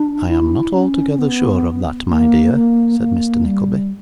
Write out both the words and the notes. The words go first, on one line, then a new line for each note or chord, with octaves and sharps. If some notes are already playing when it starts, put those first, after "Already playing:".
'I am not altogether sure of that, my dear,' said Mr Nickleby.
Already playing: D4
E4
C#4
B3
A#3
A#3
A#3
G3